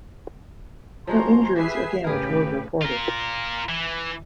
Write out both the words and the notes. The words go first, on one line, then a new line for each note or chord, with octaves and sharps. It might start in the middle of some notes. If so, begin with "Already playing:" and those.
No injuries or damage were reported.
F3 G#3 F#4 A#5 C6
G4 G#4 B4 E5 C7
A2 C#3 G4 G#4 A#4 B4
F4 A#4
E3